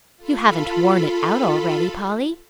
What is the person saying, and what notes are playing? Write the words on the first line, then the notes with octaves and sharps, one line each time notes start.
"You haven't worn it out already, Polly?"
F4 A4 B5